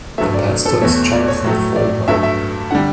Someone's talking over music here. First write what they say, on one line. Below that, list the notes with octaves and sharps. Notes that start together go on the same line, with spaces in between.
The pastor is Jonathan Falwell.
G2 F#3 A3 E5
D5
A4
E2 B2 A3 C#5
D5
C#5
A2 F#3 A3
D5
G2 F#3 A3 E5
E5
D3 G3 F#5